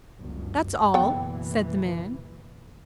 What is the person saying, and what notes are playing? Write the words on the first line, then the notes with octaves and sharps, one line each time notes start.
"That's all," said the man.
G1 C#2 F#2
F#1 B2 E3 B3 G5